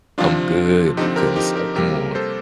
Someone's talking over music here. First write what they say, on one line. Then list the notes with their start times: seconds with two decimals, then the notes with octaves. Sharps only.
"I'm good," because it's, like, "Come on."
0.18 C3 F3 C4 D4 F4
0.97 D3 F3 C4 D#4 G4
1.16 G4 A#4
1.36 D#4 G4
1.55 G4 A#4
1.76 C3 G3 A#3 G4 A#4
2.15 A4 C5